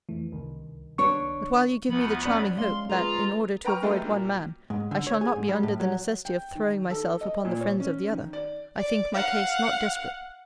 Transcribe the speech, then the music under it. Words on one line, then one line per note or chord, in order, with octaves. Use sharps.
But while you give me the charming hope, that, in order to avoid one man, I shall not be under the necessity of throwing myself upon the friends of the other; I think my case not desperate.
F2 E3 A3
C2 G2 D#3
D4 C#5 C#6
D2 F3 B3 B5
C#4 D5
G#3 F5 C6
F4 G#4 B4 A#5
B4 G5 A#5 C#6 F6
F#3 G#3 A3 G4 A4 B4
A#2 F#3 G3
G#2
D3
C#5
G#4
G#2
G3
A2
F#3
G5
D#3
A4
D#5
A#2
C#5
C#4
D#3
D5
D5
F5 F#5